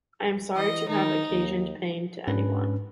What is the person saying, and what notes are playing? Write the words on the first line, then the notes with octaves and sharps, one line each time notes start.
I am sorry to have occasioned pain to anyone.
E3 D#5
D#3 D#4
D#2
G#2 C#4 D4 B4